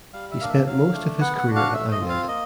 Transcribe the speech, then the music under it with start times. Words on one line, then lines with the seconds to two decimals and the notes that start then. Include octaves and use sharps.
He spent most of his career at Ined.
0.13 G3 F5
0.31 E5
0.40 A#3 D4 F5
0.50 E5
0.66 F#3 F5
0.93 A3 D4
1.20 B3 F#5
1.38 F#5
1.47 D4 F#4
1.56 F5
1.74 A3 E5
1.92 D#5
2.00 C4 F4
2.09 F5
2.28 A#3 D#5